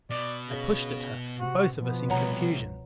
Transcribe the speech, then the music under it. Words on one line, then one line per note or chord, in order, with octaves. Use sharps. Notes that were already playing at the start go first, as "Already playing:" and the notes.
I pushed at her, both of us in confusion.
B2 D5
C#3
C3 F#4
B2 F3 B3
C2 C#5 F#5 A#5